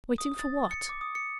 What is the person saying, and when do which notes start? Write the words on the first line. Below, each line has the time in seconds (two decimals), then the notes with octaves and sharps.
Waiting for what?
0.18 D#6
0.39 A6
0.71 C#7
0.89 D6
1.01 D#6
1.15 C#7